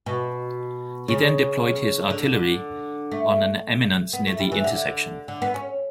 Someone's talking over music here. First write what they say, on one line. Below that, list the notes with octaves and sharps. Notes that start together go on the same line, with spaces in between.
He then deployed his artillery on an eminence near the intersection.
B2
C#3
D3
A3
B3
A3
G3
E3
D3
D3
B3
C#4